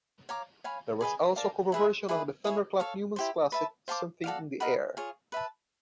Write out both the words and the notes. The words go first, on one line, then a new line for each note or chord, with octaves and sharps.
There was also a cover version of Thunderclap Newman's classic "Something in the Air".
C#5 F5 A#5 D6
C#5 F5 G#5 B5
G#4 B4 D#5 G#5
A#4 D5 F5 A5
E4 G#4 B4 E5
E4 G#4 B4 D5
E4 G#4 C#5
A4 C#5 F5
E4 G4 C5
B4 E5 A5
C5 F5 A5 D6
F#4 A4 D5 F5
A#4 D#5 F#5 B5
F4 G#4 C#5
B4 E5 A5